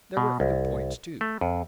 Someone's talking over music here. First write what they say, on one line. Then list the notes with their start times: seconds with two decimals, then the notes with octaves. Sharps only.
There were other points, too.
0.17 B2
0.40 C2
1.21 A3
1.41 F2